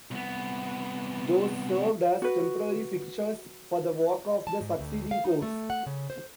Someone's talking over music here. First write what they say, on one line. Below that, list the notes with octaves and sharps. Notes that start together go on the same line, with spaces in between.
Those served as temporary fixtures for the work of the succeeding course.
C2 B3
F#4 B4
A5
G#2
D2
F5
D#4
A3
F#5
C#3
C5